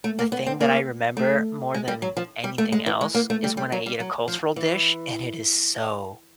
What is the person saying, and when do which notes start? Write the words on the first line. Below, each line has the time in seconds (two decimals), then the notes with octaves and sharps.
the thing that I remember more than anything else, is when I eat a cultural dish and it is so
0.04 A3
0.19 A#3
0.32 B3
0.47 C4
0.61 A#3
1.17 A3
1.74 G#3
1.88 G3
2.02 F#3
2.17 F3
2.44 G3
2.58 A3
2.72 G#3
2.86 E3
3.01 G#3
3.15 A#3
3.30 A3
3.44 G3
3.57 G3
3.72 F#3
3.86 G3
4.00 F#3
4.28 F3
4.56 E3